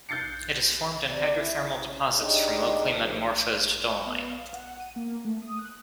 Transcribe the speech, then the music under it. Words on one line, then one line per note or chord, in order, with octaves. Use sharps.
It is formed in hydrothermal deposits from locally metamorphosed dolomite.
F#6 G6 A6 C7 C#7
C3 D5
E4
C#4
D4 D#4 G4 G#4 C#5 D#5
D#3 F3
C#6
B3
F5
F#5
D#7
A#3
A3
D#6
F#6